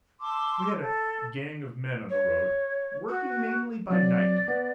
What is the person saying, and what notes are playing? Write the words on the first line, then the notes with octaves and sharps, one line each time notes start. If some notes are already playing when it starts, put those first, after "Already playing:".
We had a gang of men on the road, working mainly by night.
A5 C6 D6 E6
A4
C#5
F#4
F#3 C4 D5
B3